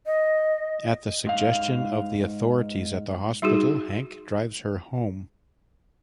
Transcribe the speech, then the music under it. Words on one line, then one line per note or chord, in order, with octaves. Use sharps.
At the suggestion of the authorities at the hospital, Hank drives her home.
D#5
G#2 F5
G3 D#4 F#4 G#4